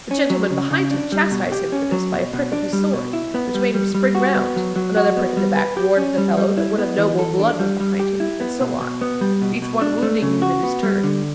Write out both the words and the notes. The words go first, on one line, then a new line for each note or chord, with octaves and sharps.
The gentleman behind him chastised him for this by a prick of his sword, which made him spring round; another prick in the back warned the fellow that one of noble blood was behind him, and so on, each one wounding him in his turn.
C#4
F#3
C#3
C#3
D4
G3
B2
G4
C#4
F#3
B2
B2
D4
G3
B2
E4
B3
G3
G3
G3
F#4
B3
F#3
F#3
F#4
B3
G3
B4
G4
C#4
G3
G3
E4
B3
E3
A4
D4
G3
G3
G4
E4
B3
B2
B2
B3
G3
B2
B2
D4
A3
C#3
F#4
B3
G3
D3